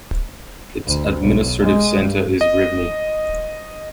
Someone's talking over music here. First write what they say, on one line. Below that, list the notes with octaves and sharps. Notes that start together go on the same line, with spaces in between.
Its administrative center is Rivne.
D2
B1
G#3
G2
D#5